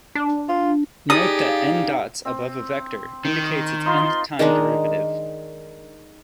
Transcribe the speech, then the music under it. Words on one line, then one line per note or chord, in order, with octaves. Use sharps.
Note that n dots above a vector indicates its nth time derivative.
D4
F4
D#4 G4 G#4 D5 D#6
F5
C4
D#3
D#4 F4 B4 C6
D#3 G#3 D4 D#4